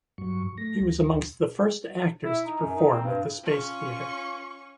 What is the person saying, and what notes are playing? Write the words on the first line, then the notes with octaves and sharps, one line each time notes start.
He was amongst the first actors to perform at the Space Theatre.
G2 F#3 C#6
A3 A#6
D2
E4
D#4
F#2
D#4
C4
G2
C#4 F4 C#6